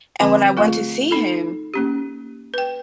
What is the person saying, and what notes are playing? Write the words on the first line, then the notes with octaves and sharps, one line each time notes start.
And when I went to see him
D3 F3 C4
A3 F4 G#4
D#4 A4
A#3 C#4 G4
B4 G5